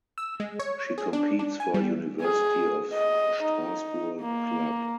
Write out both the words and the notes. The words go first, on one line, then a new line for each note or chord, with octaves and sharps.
She competes for University of Strasbourg club.
E6
G#3
C#5
G#4
D4
D4
G#5
G3
G#4
D#5
D#4
A#3